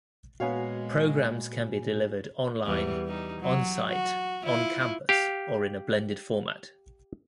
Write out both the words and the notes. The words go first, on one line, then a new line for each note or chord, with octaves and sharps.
Programs can be delivered online, onsite, on campus or in a blended format.
A#2 G#3 B3 F#4 C#5 F5 G#5
E2 E3 G3
G3 D#4
F#3
F#4
E4 F4
G4 F5